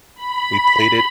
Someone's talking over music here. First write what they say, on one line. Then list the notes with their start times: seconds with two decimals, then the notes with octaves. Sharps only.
We played it
0.15 B5